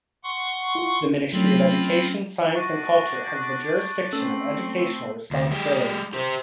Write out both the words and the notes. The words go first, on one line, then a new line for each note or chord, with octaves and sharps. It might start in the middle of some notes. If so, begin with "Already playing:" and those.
The Ministry of Education, Science and Culture has the jurisdiction of educational responsibility.
F#5 C6 C#6
E4 F4
F#3 A3 C4 C#4 F4 B5
D4 F#4 C#6
A3 C4 C#4 A4 E6
D2
G#3 G4
G4 C5